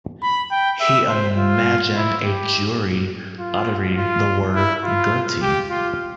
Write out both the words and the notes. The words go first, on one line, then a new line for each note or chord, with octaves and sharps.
He imagined a jury uttering the word "Guilty."
B5
G5
E5
C5
F4
E4
G4
F4
F4
E4
F4
G4
F4